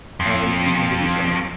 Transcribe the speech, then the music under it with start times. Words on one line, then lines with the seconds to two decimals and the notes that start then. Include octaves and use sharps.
"I am seeking to do so."
0.20 F2